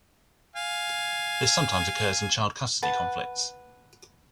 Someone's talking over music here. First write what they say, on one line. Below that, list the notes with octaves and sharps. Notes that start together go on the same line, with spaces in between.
This sometimes occurs in child custody conflicts.
F5 G#5
B4 F#5 A5